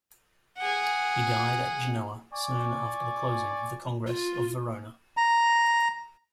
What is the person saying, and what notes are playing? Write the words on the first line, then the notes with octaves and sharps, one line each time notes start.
He died at Genoa soon after the closing of the Congress of Verona.
G#4 F#5
D5 G#5 C#6
F4
A#5